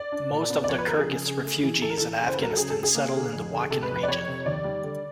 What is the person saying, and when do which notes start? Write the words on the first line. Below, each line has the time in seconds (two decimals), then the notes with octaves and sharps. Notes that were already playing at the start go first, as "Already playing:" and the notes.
Most of the Kyrgyz refugees in Afghanistan settled in the Wakhan region.
Already playing: D5
0.12 D4
0.31 A#2
0.50 B3
0.64 D5
0.68 F3 C#5
0.78 B4
0.88 F3 A#4
0.98 G#4
1.06 C#3
1.25 C#3
1.44 A3
1.63 E3
1.82 E3 A4
1.90 A#4
1.98 E3 A4
2.20 C#3
2.27 C5
2.34 B4
2.39 F#3 A#4
2.50 A4
2.57 C#3 G#4
2.70 A4
2.76 C#3
2.83 G#4
2.94 A#3
3.14 D3
3.33 F2
3.51 D3
3.70 C3 A4
3.83 B4
3.90 F2
3.96 B4
4.03 D5
4.08 F2 C#5
4.28 C3
4.46 D#2 D5
4.64 G3
4.83 D3